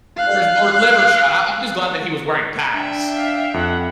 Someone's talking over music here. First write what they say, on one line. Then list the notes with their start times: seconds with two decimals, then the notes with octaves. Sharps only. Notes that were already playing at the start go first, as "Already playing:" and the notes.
or or liver shot. I I'm just glad that he was wearing pads
0.17 F5 F#6
2.73 D4 E5 G5
3.17 F5
3.54 F2 F#5